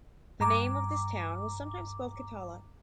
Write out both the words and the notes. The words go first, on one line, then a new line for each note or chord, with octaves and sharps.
The name of this town was sometimes spelled Catalla.
G2 A#5 D6